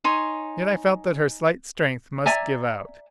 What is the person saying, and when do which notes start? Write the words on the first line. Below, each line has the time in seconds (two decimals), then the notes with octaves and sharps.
Yet I felt that her slight strength must give out.
0.04 D#4 C#5 G#5 C6
2.26 D5 E5 G#5 A#5